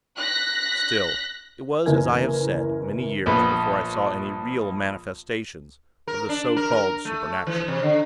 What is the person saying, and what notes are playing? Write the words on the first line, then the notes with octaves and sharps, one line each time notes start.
Still, it was as I have said many years before I saw any real manifestations of the so-called supernatural.
F#6 A#6 B6
F#1 E3 A#4 G#5 G#6
A#1 B3 B4
A#4
D4
A#4
A#4
A3
E3
C3
D3